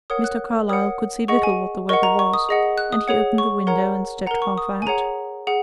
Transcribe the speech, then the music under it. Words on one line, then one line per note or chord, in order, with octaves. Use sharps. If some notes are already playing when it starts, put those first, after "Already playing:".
Mr. Carlyle could see little what the weather was, and he opened the window and stepped half out.
A#4 C#5 F#5 D#6
F#6
A#4 C#5 F#5 D#6
G#4 D#5 F#5 C#6
G#5
A#4 D#5 F#5 C#6
A#5
C#6
D#6
G#4 D#5 F#5
F#6
D#6
G#4 C#5 F#5
C#6
A#4 C#5 F#5 A#5
A#4 F#5 A#5
C#6
D#6
G#5
G#4 C#5 F#5 A#5
G#4 F#5